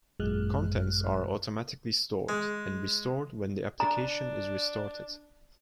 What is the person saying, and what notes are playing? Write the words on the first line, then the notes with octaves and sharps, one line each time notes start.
Contents are automatically stored, and restored when the application is restarted.
G#1 F#2 A#2 G#3 F6 F#6
G#3
D4 A#5